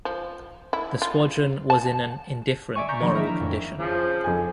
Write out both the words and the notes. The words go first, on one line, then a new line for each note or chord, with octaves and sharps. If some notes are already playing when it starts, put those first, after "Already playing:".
The squadron was in an indifferent moral condition.
F3
E4
F4
A5
D5 E5 G#5 C#6
A#5 C#6 G6 B6
D#3 F3 F#3 G#3 A#3 D4
E4 A#4 E5
A#5
F2
C#3 F3
F2 G#5